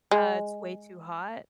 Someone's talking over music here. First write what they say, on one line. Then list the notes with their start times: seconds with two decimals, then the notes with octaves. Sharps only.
Uh, it's way too hot.
0.11 G#3